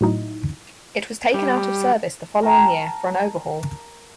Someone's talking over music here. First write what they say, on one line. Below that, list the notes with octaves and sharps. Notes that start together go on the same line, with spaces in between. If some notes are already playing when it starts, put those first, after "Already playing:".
It was taken out of service the following year for an overhaul.
A2 F#3 D#4 E4
G3
A#4 G5 A5 A#5